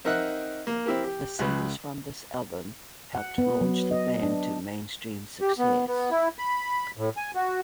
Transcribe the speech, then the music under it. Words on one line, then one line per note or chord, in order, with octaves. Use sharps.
The singles from this album helped launch the band to mainstream success.
C4 D#4 A#4 E5 F#5 F#6
A#3
C4 E4 G4 A#4
G4
C#2 C#3 B4
F#5
B3
F#3
D#5
D4
G4
B3
B3
E4
B5
A2
G#5
F#4